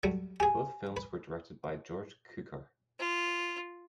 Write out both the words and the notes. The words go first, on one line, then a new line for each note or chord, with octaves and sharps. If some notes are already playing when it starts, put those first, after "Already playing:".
Both films were directed by George Cukor.
F#3 G3 A3
G4 G#4 G#5
B4
F4